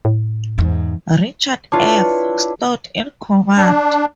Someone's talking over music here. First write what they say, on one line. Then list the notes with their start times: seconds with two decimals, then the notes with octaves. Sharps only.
Richard F. Stout in command.
0.05 A2
0.58 E2 G#2
1.72 D4 E4 F4 B4 C#5
3.57 D4